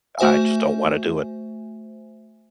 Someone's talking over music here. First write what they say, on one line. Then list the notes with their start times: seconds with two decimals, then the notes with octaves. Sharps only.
I just don't wanna do it.
0.19 A3 F#4 C5 E5 G#5